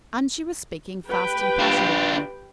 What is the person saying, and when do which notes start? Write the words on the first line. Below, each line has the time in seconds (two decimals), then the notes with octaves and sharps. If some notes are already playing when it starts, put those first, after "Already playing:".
And she was speaking fast and passionately.
1.06 G4 B4 G5
1.59 D4 F4